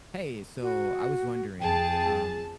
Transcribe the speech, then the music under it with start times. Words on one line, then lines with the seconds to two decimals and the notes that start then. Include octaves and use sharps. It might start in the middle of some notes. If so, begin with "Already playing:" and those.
Hey, so I was wondering, um,
0.62 F#4
1.60 F2 G#4 G5 A5